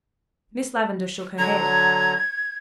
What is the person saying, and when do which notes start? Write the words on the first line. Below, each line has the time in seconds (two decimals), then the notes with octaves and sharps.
Miss Lavendar shook her head.
1.38 D3 F#3 A#5 G#6